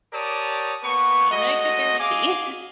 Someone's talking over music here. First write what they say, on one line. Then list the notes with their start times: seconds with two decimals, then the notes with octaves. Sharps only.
I could barely see.
0.13 G4 A#4 C#5 D5 A5 D#6
0.83 A#3 B3 B4 C#6
1.31 G#3 A3 F#4 D#5
2.00 G#4 F5 G#5 D6